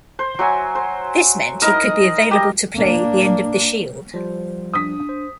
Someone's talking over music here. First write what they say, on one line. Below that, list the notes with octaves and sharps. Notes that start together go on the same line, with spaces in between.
This meant he could be available to play the end of the Shield.
C5
F#3 E5 G#5
C5
D#4 E4 A#4 D#5
G4 D#5
A#3 D4
F3 G3 C5
D4 D#6 B6
C5